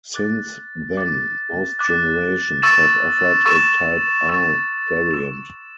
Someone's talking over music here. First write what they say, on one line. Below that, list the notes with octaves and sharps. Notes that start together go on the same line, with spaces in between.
Since then, most generations have offered a Type R variant.
D6 F#6 A6
D6 F#6 A6
D6 F#6 A6
C#6 E6 A6 E7
C#6 E6 A6 E7
C#6 E6 A6 E7
C#6 E6 A6 E7